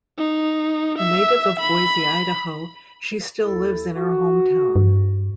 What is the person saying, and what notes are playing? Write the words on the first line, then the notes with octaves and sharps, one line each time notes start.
A native of Boise, Idaho, she still lives in her hometown.
D#4
E5
B5
D#2 E4 A4
F#4
G2